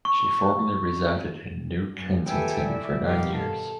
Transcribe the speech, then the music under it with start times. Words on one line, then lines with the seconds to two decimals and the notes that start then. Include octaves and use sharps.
She formerly resided in New Kensington for nine years.
0.05 C#6
1.94 F#2
2.27 G4 A4 B4 E5 G5 G#5
2.65 E4 D5 E5
3.03 G2 B2 D#3 G3 G4 F5
3.36 A4